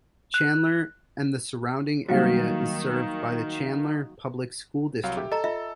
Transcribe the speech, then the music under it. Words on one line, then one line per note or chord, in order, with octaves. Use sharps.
Chandler and the surrounding area is served by the Chandler Public School District.
F#6
D#3 F#3 G3 A#3 F#4 F5
C2 F#3 F5
G4 E5
A4 D#5 A#5
F4 D#5 E5